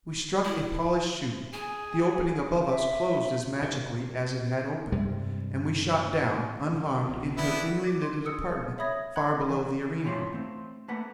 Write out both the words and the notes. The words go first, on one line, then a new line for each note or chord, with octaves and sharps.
We struck a polished chute, the opening above us closed as magically as it had opened, and we shot down, unharmed, into a dimly lighted apartment far below the arena.
E4
G#4 G#5
E5
C3
G2 C3 G3 G#3
C#3 F#3
A#1 B2 C4
D#3 B3 D4 E4
D6
C6
A#4 D#6 E6 C#7
G#4
C#5 E5 B5 D#6 G#6 A#6
F#5 B5 F#6 G#6
E3
E3 E4 F4 C#5 G#5 C6
A3 C4
A3 A#3 B4 F#5